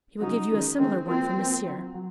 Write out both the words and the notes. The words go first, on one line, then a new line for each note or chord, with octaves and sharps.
"He will give you a similar one for Monsieur."
C#3 F#3 C#4 D#4 F#4
D#3 G#3 C#4
D#3 G#3 C4 C#4
F3 A#3 C4 F4
F3 A#3 F4
F#3 C4 F4
F#3